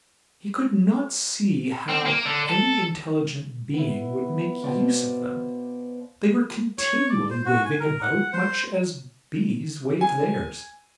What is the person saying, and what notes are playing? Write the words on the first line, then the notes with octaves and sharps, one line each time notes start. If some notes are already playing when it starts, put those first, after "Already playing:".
He could not see how any intelligent being would make use of them; they were continually waving about, much as bees wave theirs.
C4
A#3
D3
A4
B3 E4
B2 C5 D5 F5
C#5
D5
C5
F#4
G#5
A#4
F#5
C5
G#5